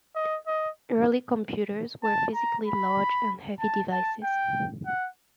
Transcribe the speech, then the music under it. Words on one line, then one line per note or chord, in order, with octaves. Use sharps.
Early computers were physically large and heavy devices.
D#5
D#5
A5
A#5
B5
A5
A5
G5
F#5